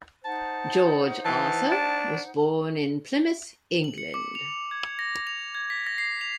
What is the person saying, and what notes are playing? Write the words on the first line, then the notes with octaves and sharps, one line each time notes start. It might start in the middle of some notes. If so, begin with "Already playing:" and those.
George Arthur was born in Plymouth, England.
D#4 C5 F#5 A5
E3 A5
D4
F#7
C#7
D6
F7
G#6
A#6
F7
G#6
B6
A#6
C7
F7